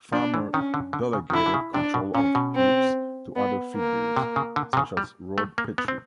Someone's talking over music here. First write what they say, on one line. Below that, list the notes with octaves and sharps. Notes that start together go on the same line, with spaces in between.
Farmer delegated control of Hibs to other figures, such as Rod Petrie.
F3 D4
E3
D#3 C#4
D3
D3
C#3
D#3
D3 E4
D3
C#3
C3 D4
B2
A#2 C#4
B2
C4
B3
A#3
C3
C#3
D3
C3
C#3
G3
A3
A#3
B3
C4